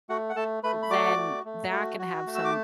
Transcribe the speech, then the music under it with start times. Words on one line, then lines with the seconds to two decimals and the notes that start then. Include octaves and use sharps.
then that can have some
0.09 A3 F#4 F#5
0.29 F#5
0.36 A3 A4 A5
0.63 A3 B4 B5
0.82 B5
0.90 F#4 D5 D6
1.17 A3
1.45 A3
1.72 F#4
1.99 F#4
2.27 A3
2.35 E6
2.44 D6